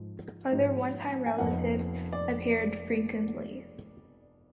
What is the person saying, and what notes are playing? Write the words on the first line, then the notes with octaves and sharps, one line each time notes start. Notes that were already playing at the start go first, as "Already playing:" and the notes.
Other one-time relatives appear frequently.
Already playing: G#2 F3 G#3
G#2 F3 G#3
G#5
F1 F2 F3 B3 F#5
D5